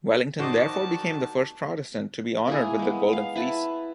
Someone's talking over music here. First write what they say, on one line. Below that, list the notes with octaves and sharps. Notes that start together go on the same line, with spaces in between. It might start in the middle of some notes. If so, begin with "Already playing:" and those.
Wellington therefore became the first Protestant to be honoured with the Golden Fleece.
D#3 F#4 C5 D5 D#5 A5
A#3 E4 G#4
G#3 B3
F5
E4 B4 A5